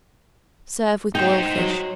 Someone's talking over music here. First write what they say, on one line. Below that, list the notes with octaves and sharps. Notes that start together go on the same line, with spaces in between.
Serve with boiled fish.
D#4 C5 G5
F#3